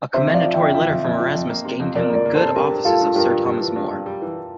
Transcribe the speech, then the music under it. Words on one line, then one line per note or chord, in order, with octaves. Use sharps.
A commendatory letter from Erasmus gained him the good offices of Sir Thomas More.
C3 C5 E5
F2 D5 F5
F3
E5 G5
F2
F3 E5 G5
F2
F2
F3
F2
A#3
C3
F2
F2 A#4 D5
A#3 A#4 D5
A#3
A4 C5
C3
G2 G4 A#4
G2
G3 F4 A4
G2
G2 G4 A#4
G2
G2
E3
G2
G2
G3
E3